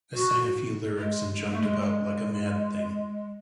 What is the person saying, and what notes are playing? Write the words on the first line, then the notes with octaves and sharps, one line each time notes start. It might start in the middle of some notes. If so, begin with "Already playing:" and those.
I sang a few lyrics and jumped about like a mad thing.
F#4
G#3
G#3
A3
G#3
G#3